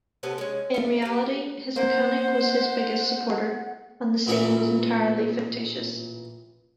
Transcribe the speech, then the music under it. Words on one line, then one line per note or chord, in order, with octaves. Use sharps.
In reality, his mechanic was his biggest supporter, and the scene was entirely fictitious.
C3 B3 C#4 A4
G#3 C#4
A3 F5
B3 G4
A#3 C5 F#5
A1 A#2 E3 E5